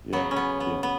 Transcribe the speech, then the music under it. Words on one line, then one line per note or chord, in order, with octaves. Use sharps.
Yeah, yeah.
C#3 F#3 B3
C#4
B3
B3
B3